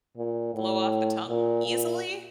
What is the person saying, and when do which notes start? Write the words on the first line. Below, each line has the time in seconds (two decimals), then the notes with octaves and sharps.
flow off the tongue easily
0.17 A#2
0.54 A2
1.28 A#2
1.66 A#2